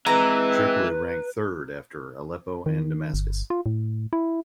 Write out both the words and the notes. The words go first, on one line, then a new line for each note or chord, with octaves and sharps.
Tripoli ranked third after Aleppo and Damascus.
E3 G#3 C4 B4 A#5
D#3
G1
F4
A2
E4